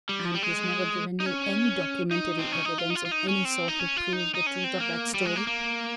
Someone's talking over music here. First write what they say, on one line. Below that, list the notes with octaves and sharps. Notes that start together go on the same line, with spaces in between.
"And he's never given you any documentary evidence of any sort to prove the truth of that story?"
G3
F3
G3
G#3
D#4
C#4
D#4
C4
C#4
D#4
F4
D#4
F4
F4
D#4
C#4
C4
D#4
C#4
F4
D#4
D#4
C#4
C4
A#3
G3
G#3
A#3
A#3